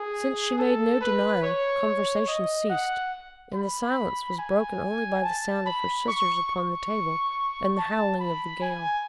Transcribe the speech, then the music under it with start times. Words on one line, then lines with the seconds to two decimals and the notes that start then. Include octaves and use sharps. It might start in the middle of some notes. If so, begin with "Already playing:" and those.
Since she made no denial, conversation ceased, and the silence was broken only by the sound of her scissors upon the table and the howling of the gale.
Already playing: G#4
0.58 A4
1.01 B4
1.43 C#5
2.28 D#5
2.70 F#5
3.54 B5
4.39 G#5
5.23 A5
5.66 B5
6.08 C#6
6.50 C#6
7.78 A5
8.19 B5
8.62 G#5